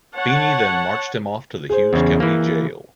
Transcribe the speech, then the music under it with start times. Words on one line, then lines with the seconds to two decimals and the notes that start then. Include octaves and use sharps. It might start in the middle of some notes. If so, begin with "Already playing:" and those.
Feeney then marched him off to the Hughes County jail.
0.15 C#5 F#5 A5
1.70 G#4 C5
1.93 E2 C#3
2.20 E3 A#3